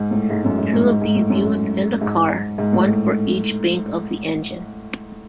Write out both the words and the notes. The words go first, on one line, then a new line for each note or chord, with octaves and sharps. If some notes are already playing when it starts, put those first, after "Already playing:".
Two of these used in the car: one for each bank of the engine.
Already playing: G#2
A2
G#2
F#2
G#2
A2
G#2
G#2
A2
F#2
G#2
G#2
A2